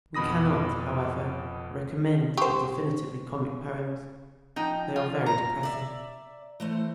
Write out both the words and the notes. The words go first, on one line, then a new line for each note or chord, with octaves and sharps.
We cannot, however, recommend the definitely comic poems. They are very depressing.
F2 B2 B5 D#6 A#6
G4 C5 C#6
F3 D#4 G5
F4
A#5
D5 E5
E3 A3 C5